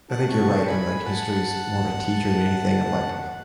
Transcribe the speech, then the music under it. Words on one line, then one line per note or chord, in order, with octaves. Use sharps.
I think you're right. And like history is more of a teacher than anything of like,
F#5 A5
A5 C#6
G#5 B5
F#5 A5